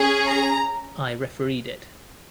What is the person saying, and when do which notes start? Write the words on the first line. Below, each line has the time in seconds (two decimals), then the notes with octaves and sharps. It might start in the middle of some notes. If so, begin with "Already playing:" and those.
I refereed it.
Already playing: C#4 G#4
0.26 A#5